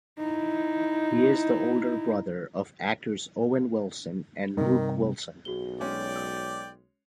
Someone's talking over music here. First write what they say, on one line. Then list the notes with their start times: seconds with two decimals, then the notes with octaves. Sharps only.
He is the older brother of actors Owen Wilson and Luke Wilson.
0.19 D#4 E4
4.57 G2 C3 D#3
5.45 B1 F#4 G#4 G7
5.81 G#3 C#4 D5 G5